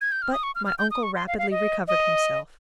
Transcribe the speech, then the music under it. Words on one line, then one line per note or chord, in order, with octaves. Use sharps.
But my uncle rapidly recovered himself.
G#6
G6
F6
D#6
C#6
F6
F6
G6
D#6
C#6
C6
F5
F5
D#5
D#5